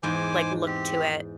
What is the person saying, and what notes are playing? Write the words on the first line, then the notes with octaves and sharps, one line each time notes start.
like, look to it,
E2 G#2 C5 G#5 D6
C4 G4